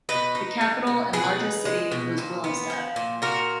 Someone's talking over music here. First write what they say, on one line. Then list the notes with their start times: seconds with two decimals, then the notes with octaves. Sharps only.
The capital and largest city was Willemstad.
0.09 B2 B4 D#5
0.35 D#4
0.61 G#3
0.87 B2
1.13 B2 G#4 B4
1.39 D#4
1.65 G#3
1.91 B2
2.18 A#2
2.44 B3
2.70 F3
2.96 A#2
3.22 A#2 F#4 A#4